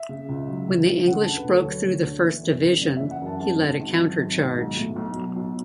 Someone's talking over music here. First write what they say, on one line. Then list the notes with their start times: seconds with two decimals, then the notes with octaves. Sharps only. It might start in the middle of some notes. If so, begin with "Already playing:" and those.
When the English broke through the first division, he led a countercharge.
Already playing: E5
0.09 C#3
0.29 C#2
0.48 F#3
0.68 C#2
0.87 C#3
1.07 D2 F#5
1.21 A5
1.26 D3
1.36 B4
1.45 D2 A4
1.65 F#3 C#5
1.84 D2
2.04 D3
2.24 E3
2.43 F#2
2.63 F#1
2.82 C#3 D5
2.97 E3 E5
3.11 F#5
3.22 F#2 A5
3.40 G#1 A5
3.61 G#2
3.80 G#1
3.99 F#3
4.18 G#1
4.39 G#2
4.58 B1
4.77 A2
4.96 B1
5.16 F#3
5.36 B1